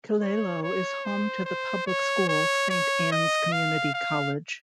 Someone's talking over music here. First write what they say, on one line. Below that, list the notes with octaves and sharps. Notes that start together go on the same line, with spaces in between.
Killaloe is home to the public school Saint Anne's Community College.
C#5
C#5
C5
C5
C#5
C#5
C#5
D#5
F5
F5